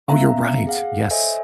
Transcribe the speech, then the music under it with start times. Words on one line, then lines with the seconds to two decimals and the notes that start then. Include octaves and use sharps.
Oh, you're right, yes,
0.09 A#3 B3 C#4 E5 F5 A#5
0.67 G#4 F5 F#5
1.10 A4 C5 C#5 D#5 E5 G#5